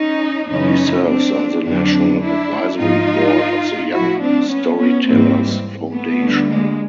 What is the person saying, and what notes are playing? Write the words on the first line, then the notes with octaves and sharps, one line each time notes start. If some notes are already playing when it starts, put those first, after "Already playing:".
He serves on the National Advisory Board of the Young Storytellers Foundation.
Already playing: C#4 D#4
F#2 C#3 E3 C#4 D#4
C4 D4
F2 D3 F#3 C4 D4
D4 E4
G#2 F3 D#4 F4
A2 F3 E4 F#4
C4 D4
B3 C#4
B3 C#4
G#2 E3 G3 A#3 C4
A3 B3
D2 D3 G3
G#3 A#3